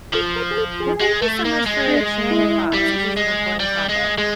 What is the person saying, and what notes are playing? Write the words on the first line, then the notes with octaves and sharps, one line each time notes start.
Well, thank you so much for sharing your thoughts. This is an important topic.
F3 A4
A#4
G#4
A4
G#4
G#3
A3
A#3
G#3
D4
E4
G3
G#3
G3
G#3
G#3